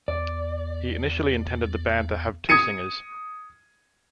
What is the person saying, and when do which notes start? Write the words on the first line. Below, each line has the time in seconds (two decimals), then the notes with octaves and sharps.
He initially intended the band to have two singers.
0.08 E2 D5
2.49 D#6 G#6 C#7 D#7